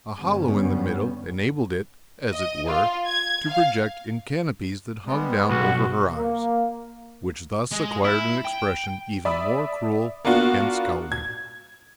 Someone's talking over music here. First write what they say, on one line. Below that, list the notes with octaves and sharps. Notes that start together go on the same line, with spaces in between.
A hollow in the middle enabled it, as it were, to project in canopies that hung down over her eyes, which thus acquired an expression even more cruel and scowling.
G2 D3 G3 B3 C#4
D#5
F4
G#6
F5
G3 G#3 B3
B1 F#4
A#3
G#3
E4
G5
D5 E5 B5 D#6
A#3 B3 D4 F4 F#4
G#6